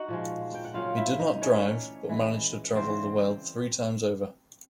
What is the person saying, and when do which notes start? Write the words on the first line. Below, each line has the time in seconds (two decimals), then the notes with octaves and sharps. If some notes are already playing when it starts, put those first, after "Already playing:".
He did not drive but managed to travel the world three times over.
Already playing: D#4 F#4 D#5 F#5
0.08 A#2 F3 G#3
0.54 G5
0.64 F#5
0.74 C#3 F#3 A#3 C#4 F4 F5
0.97 E4 E5
1.19 D#4 D#5
1.41 E3 A3 C#4 D4 C#5
2.09 E3 G#3 B3
2.75 C#3 E3 G3 C4 C5